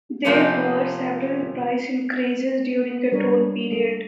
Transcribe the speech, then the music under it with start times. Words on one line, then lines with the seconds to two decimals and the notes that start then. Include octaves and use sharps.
There were several price increases during the toll period.
0.25 C3 F3 A3 A#3 C#4 D4
3.12 G3 D4 A#4 C#5
3.72 A3